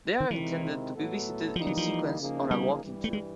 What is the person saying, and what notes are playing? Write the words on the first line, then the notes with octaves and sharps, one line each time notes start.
They are intended to be visited in sequence on a walking tour.
D#3
C3 D#3 E3 G#3 C4 E4
A2 F#3 B3 E4 A4
E3 F3 G3 A#3 D#4
F#3
F3
C#3 F3 A#3 D#4 G#4
G3
G2 E3 G3
A3
G#3